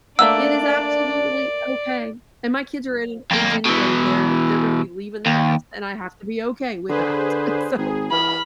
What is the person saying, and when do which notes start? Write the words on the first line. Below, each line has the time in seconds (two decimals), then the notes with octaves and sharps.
it is absolutely okay, and my kids are at an age anyway where they're gonna be leaving the nest, and I have to be okay with that. So
0.19 A3 A#3 D4 D5 F#5 E6
3.31 F2 A#3
3.65 B2 E3
5.26 D#2
6.89 D3 G#4 B4 C5
7.78 G#1 G#4
8.12 E3 B5 F6